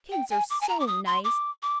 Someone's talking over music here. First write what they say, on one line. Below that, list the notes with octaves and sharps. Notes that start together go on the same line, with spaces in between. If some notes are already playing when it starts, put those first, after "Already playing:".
"Pigs are so nice!"
G5
G#5
D6
G#5
A#5
D6
D#6
C6
D6
D6